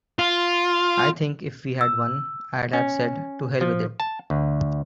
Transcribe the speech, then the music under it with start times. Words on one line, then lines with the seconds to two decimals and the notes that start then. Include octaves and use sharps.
I think if we had won, I'd have said, 'To hell with it'.
0.19 F4
1.81 E6
2.73 C#4
3.61 F3
4.00 A5
4.30 D2